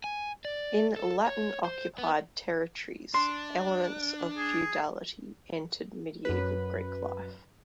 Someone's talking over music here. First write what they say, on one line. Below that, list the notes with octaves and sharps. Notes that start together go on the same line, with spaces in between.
In Latin-occupied territories, elements of feudality entered medieval Greek life.
G#5
D5
A4
C#5
C5
B3
D4 C6
G#4
F#2 B4